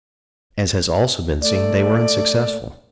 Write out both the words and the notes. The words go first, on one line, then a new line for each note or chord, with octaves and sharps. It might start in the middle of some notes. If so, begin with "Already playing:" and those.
As has also been seen, they were unsuccessful.
A3 D5